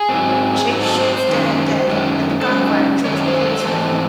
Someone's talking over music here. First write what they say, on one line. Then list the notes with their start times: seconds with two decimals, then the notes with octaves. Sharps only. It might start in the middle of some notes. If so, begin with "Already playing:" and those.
Chick shoots Dan dead and the gunfire draws a police raid.
Already playing: G#4
0.09 G#2 F#3 C4
0.68 G#2 F#3 C4
0.83 A4
0.98 C5
1.13 C5
1.27 F#2 D#3 G#3 C#4
1.87 F#2 D#3 G#3 C#4
2.41 A4
2.46 F#2 D#3 G#3 C#4 C5
2.66 D#4
3.05 F#2 D#3 G#3 C#4 C#5
3.26 C5
3.45 A4
3.60 C5
3.65 G#2 E3 A3 C4 A4